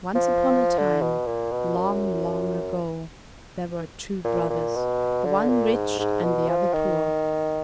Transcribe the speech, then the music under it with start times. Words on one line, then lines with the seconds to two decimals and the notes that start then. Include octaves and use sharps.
Once upon a time, long, long ago, there were two brothers, the one rich and the other poor.
0.15 F3
0.78 D3
1.01 B2
1.26 A#2
1.51 B2
1.76 F#2
4.24 A#2
4.50 A#2
4.75 B2
5.25 D3
5.49 A#2
5.74 G#2
5.99 G#2
6.24 B2
6.49 F3
6.73 D#3